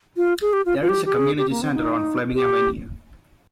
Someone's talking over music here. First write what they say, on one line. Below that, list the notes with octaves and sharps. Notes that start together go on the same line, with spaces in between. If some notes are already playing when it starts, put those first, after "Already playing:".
There is a Community Centre on Fleming Avenue.
F4
G#4
G4
F4
F4
G4
G4
G#4
G4
A#3
C4
D#4
G4